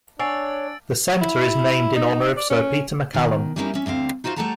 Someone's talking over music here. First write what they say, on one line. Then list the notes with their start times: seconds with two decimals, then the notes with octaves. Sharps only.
The Centre is named in honour of Sir Peter MacCallum.
0.19 D4 C#5 F#5 G#5 E6 A6 C7 D7
1.21 E4
1.96 D#4
2.37 D5
2.50 C#4
3.13 B2 D#3
3.56 G3 A3 A#3 C#4 D#4 E4
3.74 C#4 E5
3.86 D2 D3 C4 F5
4.24 D#4 F4 F#4 C5 F5
4.36 G3 A3 A4 F#5 A5 A#5